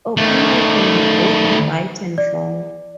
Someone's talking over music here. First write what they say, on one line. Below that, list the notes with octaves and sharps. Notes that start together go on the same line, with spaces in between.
Opinion can be both right and wrong.
D#3 A3
D5